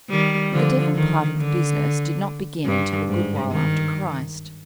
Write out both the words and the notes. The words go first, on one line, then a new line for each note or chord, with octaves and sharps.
The devil part of the business did not begin until a good while after Christ.
D#3 G3
D3 F3
D#3
D3
G2
G#2
D#3